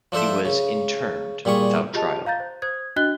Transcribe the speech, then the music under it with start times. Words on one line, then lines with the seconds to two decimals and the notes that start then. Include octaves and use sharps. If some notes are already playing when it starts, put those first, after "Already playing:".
He was interned without trial.
0.12 F3 D4 A4 C5 E5
0.45 C#3
1.45 A#2 G3 G#4 C#6
1.94 F4 G4 G#4 D#5 A5 F7
2.26 F5 A#5 G6 A6
2.40 C5
2.62 C5 D#6 G#6
2.96 D4 F#4 D#5 F#6 G7